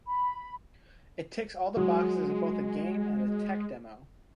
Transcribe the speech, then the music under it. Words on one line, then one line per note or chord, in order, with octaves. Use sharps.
It ticks all the boxes as both a game and a tech demo.
B5
F#3 G#3